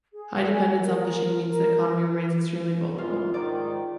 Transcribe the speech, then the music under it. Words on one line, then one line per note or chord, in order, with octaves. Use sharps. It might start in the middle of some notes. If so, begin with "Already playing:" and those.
High dependence on fishing means the economy remains extremely vulnerable.
G#4
G#5
A#4
A#4
A#1 E2 G#2 F4
G#2 D#3 D5